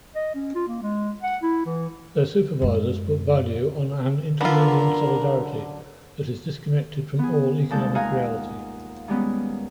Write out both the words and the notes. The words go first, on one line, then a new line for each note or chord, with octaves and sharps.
Their supervisors put value on an inter-union solidarity that is disconnected from all economic reality.
D#5
C#4
F4
A#3
G#3
F#5
E4
E3
F#2 G#3
F#2 D3 B3 F4 A#4
B3 G#4
D#2 G3 G#3 A4 A5 G6
F4 D#5 F5 F#5 G#5 A#5
D#3 G3 G#3 B3 C#4